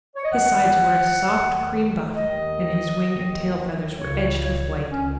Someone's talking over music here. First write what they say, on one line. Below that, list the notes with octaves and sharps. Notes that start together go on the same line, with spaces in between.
His sides were a soft cream-buff, and his wing and tail feathers were edged with white.
C#5
D#5
D#2 D#3 F#5
D#2 D#3
D#2 D#3 D#5
D#2 D#3
C#2 C#3 C#5
C#5
C#2 C#3 C#4